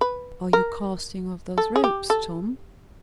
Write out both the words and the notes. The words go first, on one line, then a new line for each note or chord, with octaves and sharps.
Are you casting off those ropes, Tom?
B4
A#4
A4
G#4
G4
A4